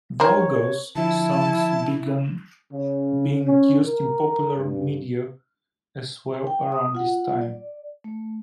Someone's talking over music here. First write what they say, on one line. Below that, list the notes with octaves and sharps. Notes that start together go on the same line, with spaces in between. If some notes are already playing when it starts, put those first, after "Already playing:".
Voegele's songs began being used in popular media as well around this time.
C4 A#4 C#5
D3 F3 E4 A5
C#3
C#4
A#4
G2
G5
D#6
F4 F#5
D5
A3